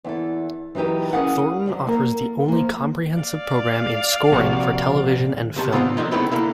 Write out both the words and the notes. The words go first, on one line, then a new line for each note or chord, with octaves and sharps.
Thornton offers the only comprehensive program in Scoring for Television and Film.
E2 E4 A4
E3 F#3 D#4 G4 B4
C#4 D4 G#4 A#4 F5 F#5
F2 D3 F#3
A#3 A4 A#4
F3 A#3
D5 F5
A#1 C3 F#4
C#2 C3 A5
B3 C4 D4 F4 C5 F#5
D3 D#3 F3 D#4
F#2 C#3 A3 B3 C4 E4
D3 A#3 E4